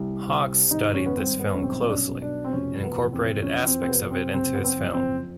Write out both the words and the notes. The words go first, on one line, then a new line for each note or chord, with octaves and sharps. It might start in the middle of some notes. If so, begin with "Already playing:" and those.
Hawks studied this film closely and incorporated aspects of it into his film.
Already playing: C2
C3
G#1 D#4
C#4
B3
G2 C4
B3
C#4
B1 C4
D4
C#4
B2
D4
C4
F1 C#4
B3
E2
C4
F2 C#4
C4
C4
C3 B3
C4
F#1 C4
B3
C4
F2
C4